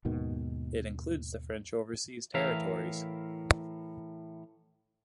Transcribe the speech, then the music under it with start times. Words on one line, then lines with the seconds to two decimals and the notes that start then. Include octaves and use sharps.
It includes the French overseas territories.
0.05 D#2 G#2 B2 D#3
2.34 A2 E3 A#4 E5 F5